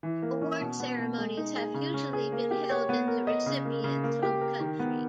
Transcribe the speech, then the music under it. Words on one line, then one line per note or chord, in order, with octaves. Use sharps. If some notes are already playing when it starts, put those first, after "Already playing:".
Award ceremonies have usually been held in the recipient's home country.
E3
A#3
C#4
B2
B3
B2
G#3
D#4
G#4
C#3
C#4
G#4
A#3
G4
C#5
B3
A#4
D#5
C#3
A#3
C#3
A#3
G4
A#4
D#3
B3